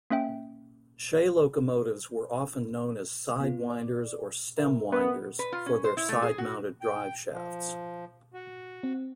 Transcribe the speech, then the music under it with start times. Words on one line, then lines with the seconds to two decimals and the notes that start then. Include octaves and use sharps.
Shay locomotives were often known as "sidewinders" or "stemwinders" for their side-mounted drive shafts.
0.10 A#3 C#4 E5 G5
3.40 B3 F4
3.70 D5
4.57 A#4 E5
4.92 B3
5.39 B4
5.52 F4
5.66 C#4
5.84 C5
5.97 E4
6.09 A3
6.22 G#4
6.38 F#4
6.81 G5
7.32 F3
8.34 F#4
8.83 C4